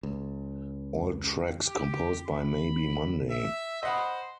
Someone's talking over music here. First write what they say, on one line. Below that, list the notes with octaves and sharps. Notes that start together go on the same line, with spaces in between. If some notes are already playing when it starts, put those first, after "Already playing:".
All tracks composed by Maybe Monday.
C#2
G4
B5
E5
C5 D#5 F#5 B5